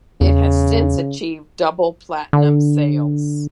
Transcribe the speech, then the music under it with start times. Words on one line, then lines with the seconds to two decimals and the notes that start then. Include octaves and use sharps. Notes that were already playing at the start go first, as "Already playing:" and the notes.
It has since achieved double-platinum sales.
0.21 E2 C#3
2.33 D3